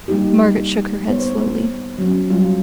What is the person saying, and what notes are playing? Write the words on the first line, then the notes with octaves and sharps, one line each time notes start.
Margaret shook her head slowly.
G3 A#3 D#4 G4
B3 C5 C#5
F#3 C#4
F#3 G3 F4